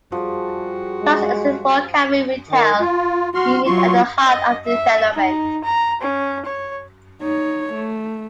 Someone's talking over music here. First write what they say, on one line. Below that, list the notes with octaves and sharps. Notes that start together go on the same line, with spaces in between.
Plans exist for a cafe retail unit at the heart of the development.
F3 G3 F#4 G#4
G#3
D#3
F4
F#4 C6 F6
F#3 F4 C6 C#6
D#5
E5
D#4
A#5
C#4
C#5
D#4 C#5
A3